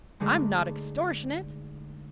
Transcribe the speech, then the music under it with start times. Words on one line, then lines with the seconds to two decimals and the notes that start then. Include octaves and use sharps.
I'm not extortionate.
0.20 D3 G#3 A3 D4 D#4 G#4